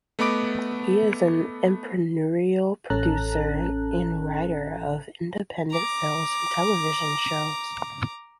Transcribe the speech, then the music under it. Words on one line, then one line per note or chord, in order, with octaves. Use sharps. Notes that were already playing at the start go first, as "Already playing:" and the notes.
He is an entrepreneurial producer and writer of independent films and television shows.
A3 B3 D#5 B5 D6 D7
A1 C#4 A4 A5 A#5 F#6
A#5 D6